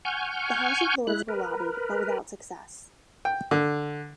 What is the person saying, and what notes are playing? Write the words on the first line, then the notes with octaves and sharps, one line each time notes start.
The House of Lords were lobbied, but without success.
F#5 G#5 C#6 F6 G6
G#3 E4 F#6
A#4 B4
G5
D3